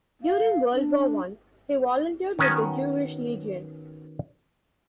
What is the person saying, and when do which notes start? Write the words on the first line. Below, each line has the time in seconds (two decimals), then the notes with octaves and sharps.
During World War One, he volunteered with the Jewish Legion.
0.23 F5
0.72 D4
2.39 D#3 B3 C#4 F#4 G#5